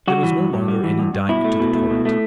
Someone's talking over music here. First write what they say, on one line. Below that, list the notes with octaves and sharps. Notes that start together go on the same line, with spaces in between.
There was no longer any dike to the torrent.
G3 F#4
E3
G2
G2
G3
E3
G2
G2
B2 E4
A3
B2
A3
B2
A3